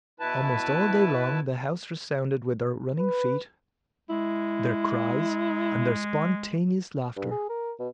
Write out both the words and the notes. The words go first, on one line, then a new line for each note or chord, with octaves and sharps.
Almost all day long the house resounded with their running feet, their cries, and their spontaneous laughter.
B2 E4 B4 A5
B4
G#3 E4
G2
G#4
A#4
B2